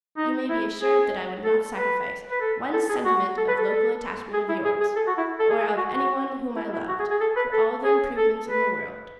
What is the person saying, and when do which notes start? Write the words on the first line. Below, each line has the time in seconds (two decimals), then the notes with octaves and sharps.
But you may be assured that I would not sacrifice one sentiment of local attachment of yours, or of any one whom I loved, for all the improvements in the world.
0.17 D#4
0.49 E4
0.81 G#4
1.45 A4
1.77 B4
2.31 B4
2.41 A4
2.73 A4
2.89 G#4
3.05 F#4
3.37 A4
3.48 B4
3.58 A4
3.69 A4
4.33 G#4
4.49 E4
4.65 G#4
4.81 G#4
4.96 A4
5.07 F#4
5.17 E4
5.39 A4
5.49 G#4
5.61 G#4
5.77 F#4
5.92 F#4
6.56 E4
6.73 E4
6.88 F#4
6.99 G#4
7.10 G#4
7.20 A4
7.36 B4
7.52 A4
7.84 G#4
8.17 A4
8.48 B4